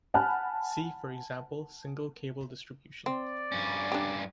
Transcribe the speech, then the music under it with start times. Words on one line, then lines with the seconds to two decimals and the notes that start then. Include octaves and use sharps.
See, for example, single cable distribution.
0.14 F#5 G#5 A5 B5 F6 F#6
3.06 C4 D5
3.52 G2 C#4
3.92 D4 G4